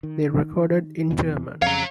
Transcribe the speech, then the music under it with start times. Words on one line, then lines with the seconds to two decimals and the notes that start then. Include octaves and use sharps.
They recorded in German.
0.03 D#3
1.11 E2 B2 E3
1.62 F2 C#3 C#5 F5 A#5